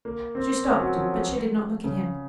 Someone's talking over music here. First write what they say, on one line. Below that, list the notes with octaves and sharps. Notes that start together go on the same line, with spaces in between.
She stopped, but she did not look at him.
A#3
C4
C#4
F#3
F3
C#3